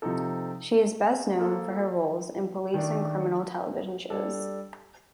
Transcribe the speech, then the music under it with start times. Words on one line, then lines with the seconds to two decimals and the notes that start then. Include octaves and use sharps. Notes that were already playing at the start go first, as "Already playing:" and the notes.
She is best known for her roles in police and criminal television shows.
0.02 C3 F3 C4 D#4 A4
1.38 A#3 F4 A4 C5
2.74 D#3 A3 D4
4.10 G3 D4 A4